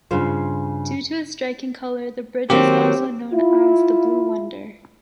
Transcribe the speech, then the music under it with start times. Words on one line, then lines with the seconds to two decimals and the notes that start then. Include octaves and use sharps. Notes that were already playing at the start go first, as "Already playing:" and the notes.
Due to its striking color, the bridge is also known as the “Blue Wonder”.
0.11 G2 C#3 F4 C5
2.50 D#3 F#3 A#3 C4 G4
3.32 E4 F4